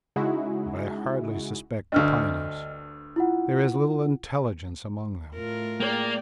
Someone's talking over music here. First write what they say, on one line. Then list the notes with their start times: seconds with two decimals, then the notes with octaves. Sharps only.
But I hardly suspect the Pineys. There is little intelligence among them.
0.16 C#3 G#3 D#4 E4 F#4 G#4
1.92 D2 G2 D#5 F6
3.16 E4 F4 F#5
5.35 A2 F4 A#4
5.81 A#3 G#4 D5 G5